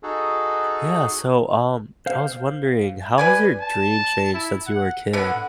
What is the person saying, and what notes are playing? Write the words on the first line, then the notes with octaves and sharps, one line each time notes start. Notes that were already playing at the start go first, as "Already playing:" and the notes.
Yeah, so, um, I was wondering, how has your dream changed since you were a kid?
D#4 F#4 G#4 A4
C5 F5
B4 D5 G#5
A5
E4
F#5
D3 B3 F#5